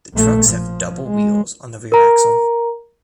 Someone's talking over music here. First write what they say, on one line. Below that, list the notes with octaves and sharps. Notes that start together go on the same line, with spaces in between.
The trucks have double wheels on the rear axle.
A#1 A3
F3
G#3
A#4 A#5